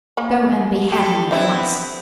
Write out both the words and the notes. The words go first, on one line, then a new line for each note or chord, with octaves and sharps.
Go and behead him at once.
A#3 B5
G4 A4
B3 C4 D4 E4 E5